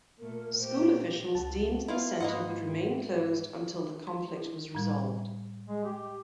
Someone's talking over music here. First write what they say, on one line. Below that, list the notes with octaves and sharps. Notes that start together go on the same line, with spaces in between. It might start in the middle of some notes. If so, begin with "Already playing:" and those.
School officials deemed the center would remain closed until the conflict was resolved.
A#2 A3 A#4
A#2 G4 C5
C#2 F#4 A5
B3 E4 F4 F5
G#2 A#3 B4 D#5 F#5 C6
C6
E4
A2 G3
G#3
G4